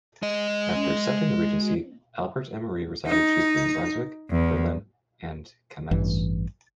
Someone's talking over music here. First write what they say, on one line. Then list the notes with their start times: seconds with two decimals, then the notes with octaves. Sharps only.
After accepting the regency, Albert and Marie resided chiefly in Brunswick, Berlin, and Kamenz.
0.23 G#3 D#5
3.07 D#4
4.31 E2
5.91 A1 G2 E3